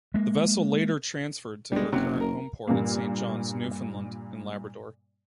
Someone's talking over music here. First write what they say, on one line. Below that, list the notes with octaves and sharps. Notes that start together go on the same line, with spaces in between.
The vessel later transferred to her current homeport at Saint John's, Newfoundland and Labrador.
G#3 A#3
G1 G3 G#3
F#1 C3 F#3
A#4
G2 A#2 A#3